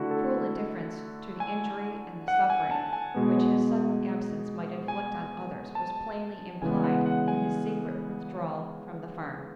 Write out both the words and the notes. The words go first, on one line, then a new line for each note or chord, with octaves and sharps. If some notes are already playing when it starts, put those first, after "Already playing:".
Cruel indifference to the injury and the suffering which his sudden absence might inflict on others was plainly implied in his secret withdrawal from the farm.
Already playing: D3 A3 E4 F#4
A4
G#5
F#5
G#5
A5
G#5
B2 G#3 B3
G#5
A5
C#3 E3 G#3 B3 G#5
F#5
F#5
G#5